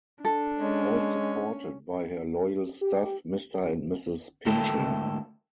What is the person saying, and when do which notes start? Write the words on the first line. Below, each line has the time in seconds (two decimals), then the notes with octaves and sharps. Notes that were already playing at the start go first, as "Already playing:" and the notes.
All supported by her loyal staff Mr and Mrs Pinchin.
0.25 D4 A4
0.59 G#3 C#4
2.82 G4
4.46 D2 G#2 A3 A#3 A4 G5